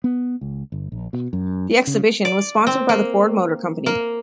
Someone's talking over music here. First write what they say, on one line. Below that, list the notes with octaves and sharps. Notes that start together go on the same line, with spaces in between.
The exhibition was sponsored by the Ford Motor Company.
B3
C#2
G1
A#1
B2
F#2
C#3
D5
C4
A#3
A#3